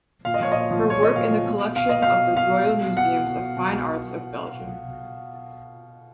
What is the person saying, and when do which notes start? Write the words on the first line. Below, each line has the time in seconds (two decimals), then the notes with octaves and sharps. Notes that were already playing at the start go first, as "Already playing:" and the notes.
Her work in the collection of the Royal Museums of Fine Arts of Belgium.
0.25 A#2 F5
0.34 D#5
0.40 F3 C#5
0.52 A#2 D#5
0.71 F3
0.86 A#2 C#5
1.01 F3 D#5
1.16 A#2 F5
1.31 F3
1.46 B2
1.76 B2 F5
1.89 D#5
2.02 B2 F5
2.36 B2 F5
2.67 B2
2.96 B2 F#5
3.27 B2
3.57 B2